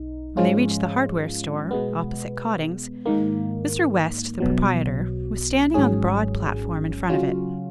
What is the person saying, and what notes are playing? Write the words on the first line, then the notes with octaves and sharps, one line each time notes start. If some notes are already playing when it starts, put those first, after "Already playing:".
When they reached the hardware store, opposite Cotting's, Mr. West, the proprietor, was standing on the broad platform in front of it.
Already playing: B1 D#4
G#2 F3 G#3 C#4 F4
B2 G#3 B3
G#2 D#3 A#3
B1 B2 F#3
G#1 G#2 F#3 C#4 G#4
C#3 F#3 C#4 F4